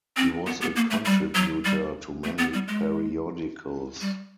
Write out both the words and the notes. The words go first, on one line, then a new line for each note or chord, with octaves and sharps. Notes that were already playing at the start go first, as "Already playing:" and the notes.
He was a contributor to many periodicals.
C4
B3
B3
A#3
A3
G3
F#3
G3
A3
B3
G3
G#3
G3